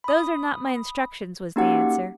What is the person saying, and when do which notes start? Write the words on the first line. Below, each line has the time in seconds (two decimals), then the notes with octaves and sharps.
'Those are not my instructions,' was the answer.
0.04 B5 D#6
1.56 A#3 C#4 D#4 F#4 G4 F#5